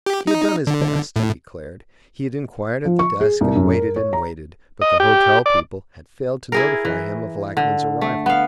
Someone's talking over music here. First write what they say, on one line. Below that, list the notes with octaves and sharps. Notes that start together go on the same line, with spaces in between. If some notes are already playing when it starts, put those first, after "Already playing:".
He had done his best, he declared; he had inquired at the desk, and waited and waited, but the hotel people had failed to notify him of Lackman's arrival.
G4
D#4
D3
A2
F3
C#6
G#4
C2
F#2
A#4
C#5
A#5
D#5
G4
D5
E4 G#4 A#4
E3
D3
A3
B3 F5